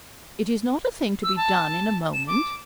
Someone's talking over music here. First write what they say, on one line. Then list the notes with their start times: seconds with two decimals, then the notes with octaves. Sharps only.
'It is not a thing to be done in a moment.'
1.23 E6
1.37 A5
2.13 E7
2.27 D6